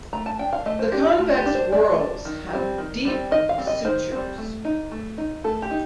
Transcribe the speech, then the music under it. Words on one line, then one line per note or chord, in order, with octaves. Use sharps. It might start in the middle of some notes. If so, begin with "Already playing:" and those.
The convex whorls have deep sutures.
A3 A#5
A5
D4 G5
F5
A3 D#5
C5
D4 G4
D#4
A3 F4
G4
D4
C5
A3 D5
D4
D#3
G3 C4
D#3
G3 C4
D#3 D#5
F5
G3 C4
D#5
D#3 C5
G3 C4
A3
D#4
A3
D#4
A3 A4
G4
D#4